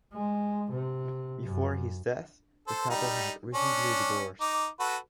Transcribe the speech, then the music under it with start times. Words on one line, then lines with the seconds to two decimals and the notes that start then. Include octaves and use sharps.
Before his death, the couple had recently divorced.
0.14 G#3
0.72 C3
1.43 F#2
2.68 A4 C5
2.90 G3 D#4
3.54 C#4 D4
4.41 D#4 D6
4.80 F#4 A4 B4